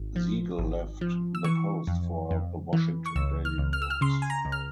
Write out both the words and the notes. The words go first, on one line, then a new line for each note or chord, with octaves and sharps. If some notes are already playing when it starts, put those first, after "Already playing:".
Siegel left "The Post" for "The Washington Daily News".
Already playing: G#1
F3
G#1
F3
E6
E3 C#6
F2
F2
E3
C#6
C#2 E6
F6
C#2
F6
E6
F6
C#3 C6
G#5
A#5
C#2
F6